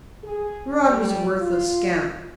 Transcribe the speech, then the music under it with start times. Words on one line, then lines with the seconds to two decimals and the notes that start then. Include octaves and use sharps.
Rod was a worthless scamp.
0.23 G#4
0.84 G3
1.38 F4